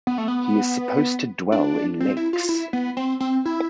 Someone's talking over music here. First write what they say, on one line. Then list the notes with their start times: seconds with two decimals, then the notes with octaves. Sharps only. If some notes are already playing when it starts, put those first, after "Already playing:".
He is supposed to dwell in lakes.
0.07 B3
0.18 A3
0.28 B3
1.52 D4
2.01 C4
2.17 E4
2.33 F4
2.49 E4
2.73 B3
2.97 C4
3.20 C4
3.46 E4